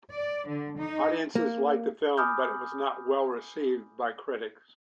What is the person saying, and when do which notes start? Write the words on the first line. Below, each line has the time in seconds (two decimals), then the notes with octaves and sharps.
Audiences liked the film, but it was not well received by critics.
0.13 D5
0.48 D3
0.78 D#4
1.35 A#3
2.17 G#5 B5 D6 D#6 F6 G6